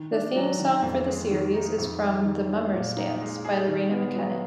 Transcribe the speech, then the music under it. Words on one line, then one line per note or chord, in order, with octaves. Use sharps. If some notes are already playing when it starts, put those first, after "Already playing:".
The theme song for the series is from "The Mummers' Dance" by Loreena McKennitt.
Already playing: D#3
D4
F#3
D#3
F2
G#3
D#3
D#4
F2
G#3
D#3
D4
A#2
D#4
G#3
G#4
D#3
B3
F#3